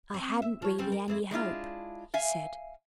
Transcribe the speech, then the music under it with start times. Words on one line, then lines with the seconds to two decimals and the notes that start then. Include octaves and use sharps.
'I hadn't really any hope,' he said.
0.14 C4
0.42 E5
0.62 F3 C#5
0.78 C#3 G3 C4
0.92 A#4
1.08 F2 C4 E4
1.31 G#3 D4 E4 F4
2.14 E5 F5 G#5